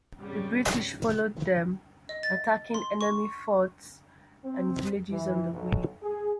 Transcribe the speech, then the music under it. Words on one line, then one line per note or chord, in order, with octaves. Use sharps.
The British followed them, attacking enemy forts and villages on the way.
G#1 C#3 G3
D#5
A6
C6
C#6
C4
E3
B1
G#4